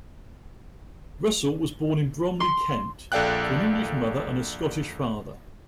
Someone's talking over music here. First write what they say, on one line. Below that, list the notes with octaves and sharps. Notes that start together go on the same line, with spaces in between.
Russell was born in Bromley, Kent to an English mother and a Scottish father.
C6
A#1 A4 D5 F5 G5 F#6